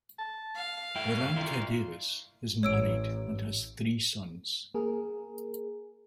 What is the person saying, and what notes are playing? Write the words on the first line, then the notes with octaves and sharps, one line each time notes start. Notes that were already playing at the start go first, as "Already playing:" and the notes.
Irranca-Davies is married and has three sons.
A5
F5
G2 A3 E4 G5
E4 F4 A#4
A1 C#5 E6 D7
A#3 G#4 A#4